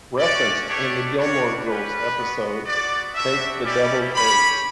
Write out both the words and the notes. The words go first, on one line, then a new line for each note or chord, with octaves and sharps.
Referenced in the Gilmore Girls episode, "Take the Deviled Eggs..."
C#4 F#4 D5
A3 D4 G4 C#5
G3 D4 F#4 C#5
G3 C#4 G4 B4
B3 F#4
B3 F#4 D5
G3 D4 F#4 E5
G3 C#4 E4 G4 D5
C#4 G4 B5